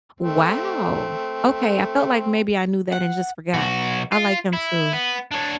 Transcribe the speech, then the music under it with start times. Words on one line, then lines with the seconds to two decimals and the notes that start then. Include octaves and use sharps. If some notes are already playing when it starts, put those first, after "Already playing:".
Wow. Okay, I felt like maybe I knew that and just forgot. I like him too.
0.21 A3 C4
2.92 F#5
3.54 B1 F#4
4.12 F4
4.53 E4
4.92 B3
5.32 D4 C#5